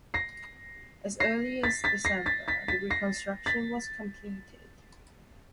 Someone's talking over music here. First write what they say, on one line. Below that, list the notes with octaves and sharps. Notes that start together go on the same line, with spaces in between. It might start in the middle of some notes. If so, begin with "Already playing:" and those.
As early as December the reconstruction was completed.
A#6 C7
A#6 C7
A6 B6
A6 B6
A#6 C7
A6 B6
A6 B6
A6 B6
A#6 C7
A6 B6